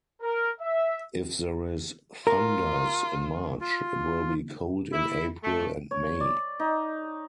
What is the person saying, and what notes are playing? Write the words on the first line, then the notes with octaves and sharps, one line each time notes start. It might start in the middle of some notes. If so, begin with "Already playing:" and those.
If there is thunders in March, it will be cold in April and May.
A#4
E5
F4 A#4
F4
E4
A3
C#5
D5
D#4